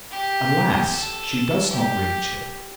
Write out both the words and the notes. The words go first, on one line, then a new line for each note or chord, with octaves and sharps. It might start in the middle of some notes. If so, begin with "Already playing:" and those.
Alas, she does not reach it!
G4
A4
G4